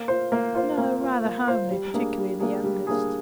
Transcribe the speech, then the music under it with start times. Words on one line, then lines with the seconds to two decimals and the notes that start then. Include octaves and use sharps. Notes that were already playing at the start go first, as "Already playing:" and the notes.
'No, rather homely, particularly the youngest.'
Already playing: A#3
0.08 F4 C5
0.32 A#3
0.55 F4 C5
0.78 A#3
1.01 F4 C5
1.25 A#3
1.48 F4 C5
1.71 G3
1.94 A#3 D4 G#4
2.17 G3
2.40 A#3 D4 G#4
2.64 G3
2.87 A#3 D4 G#4